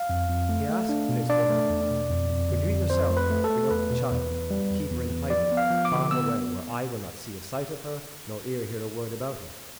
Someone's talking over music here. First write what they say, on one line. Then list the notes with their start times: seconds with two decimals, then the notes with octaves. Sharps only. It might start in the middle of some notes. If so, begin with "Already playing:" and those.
He asked this woman, "Will you yourself bring up the child to keep her in hiding far away where eye will not see a sight of her nor ear hear a word about her?"
Already playing: F5
0.09 F2
0.29 F2
0.49 A3
0.69 A3
0.89 D4
1.09 B2
1.29 D4 D5
1.50 A3
1.69 E2
1.90 B2
2.09 F2
2.29 F2
2.49 D3
2.70 F2
2.90 F2 C5
3.10 A3
3.17 B4
3.30 A3
3.44 A4
3.50 A3
3.71 E2 B4
3.90 B2
4.11 E2
4.31 E2
4.51 G3
4.70 E2
4.91 E2
5.10 E2
5.30 F3 D5
5.52 B3
5.57 F5
5.71 F3
5.85 D6
5.92 D3
6.11 B3 E6